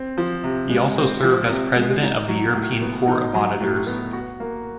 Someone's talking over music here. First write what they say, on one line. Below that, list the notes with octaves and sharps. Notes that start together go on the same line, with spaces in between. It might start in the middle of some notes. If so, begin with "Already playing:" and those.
He also served as President of the European Court of Auditors.
Already playing: C4
F3
C3
G#3
C4
F3
C3
G#3
D#4
F#3
A2
B3
D#4
F#3
A2
B3
F#4
A#3